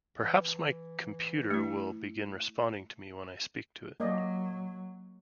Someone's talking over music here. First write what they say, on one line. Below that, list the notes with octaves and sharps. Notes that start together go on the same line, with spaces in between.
Perhaps my computer will begin responding to me when I speak to it.
E3
A3 E4
F#3 A#3 D5 D#5